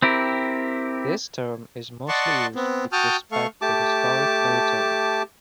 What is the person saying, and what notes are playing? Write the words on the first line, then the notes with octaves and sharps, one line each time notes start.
This term is mostly used with respect to historic militaries.
C4 E4 G4 A#4
D5 D#5 F#5 A5 C6 C#6
B3 C4
F#4 G5 A5 D#6 F6 G6
A3 A4 F5 C#6
A3 G4 A5 D6